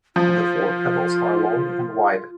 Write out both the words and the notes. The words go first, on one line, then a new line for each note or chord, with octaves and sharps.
The four petals are long and wide.
F3 F4